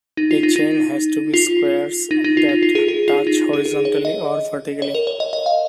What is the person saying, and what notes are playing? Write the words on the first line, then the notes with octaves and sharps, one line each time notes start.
A chain has to be squares that touch horizontally or vertically.
D#4
F4
D#4
D#4
F4
D#4
D#4
F4
D#4
F4
G#4
G#4
F4
D#4
G#4
G#4
C#5
D#5
C#5
A#4
C#5
D#5
D#5
F5